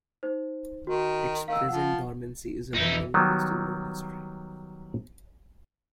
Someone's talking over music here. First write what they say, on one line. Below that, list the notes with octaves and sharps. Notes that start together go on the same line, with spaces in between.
Its present dormancy is among the longest in known history.
D#4 C5
D#3 F#4
D#3 F5 E6
F3 F#5
F2 E3 D#4 E4
D#3 F#3 G3 B3